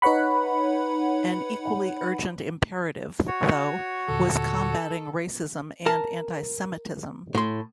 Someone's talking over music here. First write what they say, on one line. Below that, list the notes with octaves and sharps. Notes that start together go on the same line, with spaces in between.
An equally urgent imperative, though, was combating racism and anti-Semitism.
D#4 B4 C#5 F#5 B5
F#4 C#5
D#2 A#2 D3 A4
A#4 A5
A2 C6